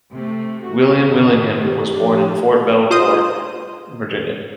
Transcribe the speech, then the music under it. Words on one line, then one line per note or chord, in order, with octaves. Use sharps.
William Willingham was born in Fort Belvoir, Virginia.
C3 A3
F#4
G2 D#3
G4
F3 D4
F4 C5 D#5 D#6